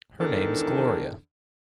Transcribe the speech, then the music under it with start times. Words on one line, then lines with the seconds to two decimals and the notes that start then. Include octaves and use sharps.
Her name's Gloria.
0.20 E2 G#2 D#3 D4 A4